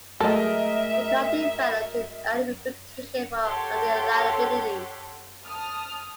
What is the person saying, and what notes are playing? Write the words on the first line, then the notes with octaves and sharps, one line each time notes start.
The car developed an early reputation for unreliability.
F#3 G#3 A3 A4 A#4 D#5 E5
G4 A4 C#5 F#5 C6
A5 D#6 F6